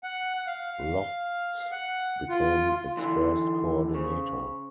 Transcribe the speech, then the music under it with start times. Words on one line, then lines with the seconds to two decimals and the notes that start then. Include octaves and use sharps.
Lofts became its first coordinator.
0.04 F#5
0.47 F5
1.71 F#5
2.30 F4
2.97 D3 E3 C6 E6
3.94 C#3 G#4 C5 C#6